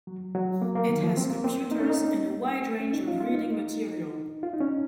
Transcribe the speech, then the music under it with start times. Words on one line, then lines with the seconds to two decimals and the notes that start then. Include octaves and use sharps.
It has computers and a wide range of reading material.
0.07 F#3
0.35 F#3
0.62 A#3
0.76 A#3
0.89 D#3
1.03 F3
1.17 C4
1.30 A#3
1.44 C4
1.71 D#4
1.80 C#4
1.90 D#4
2.80 C#4
2.93 D#4
3.07 F4
3.20 F4
3.34 D#4
4.43 F4
4.53 D#4
4.60 C#4